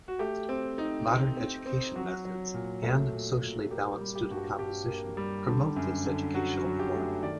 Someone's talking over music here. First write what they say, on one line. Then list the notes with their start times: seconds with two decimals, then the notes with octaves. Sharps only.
Modern education methods and socially balanced student composition promote this educational form.
0.08 F#4
0.19 A3 G4
0.49 C4
0.78 D#4
1.07 C4
1.37 C4
1.66 C4
1.95 F#3 F#4
2.25 F#3
2.54 A#2
2.83 A3
3.13 A#2
3.42 A#2
3.71 A#3 G4
3.93 G4
4.00 G3
4.15 G4
4.30 G2 F#4
4.37 G4
4.59 G2 G4
4.88 A#3
5.17 G3
5.47 D3
5.76 F#2
6.05 D3
6.34 F#3 F#4
6.57 F#4
6.64 F#3
6.79 G4
6.93 A3
7.23 D#3 D5